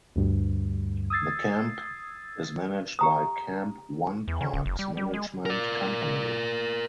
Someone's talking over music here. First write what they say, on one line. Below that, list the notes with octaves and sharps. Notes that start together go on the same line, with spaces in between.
The camp is managed by Camp One parks management company.
D2 G2
D#6 E6 G#6 A6 C7
G4 A#5 D#6
E2
C#3
D1
F#1
G3
G3
G#3
A#4 D5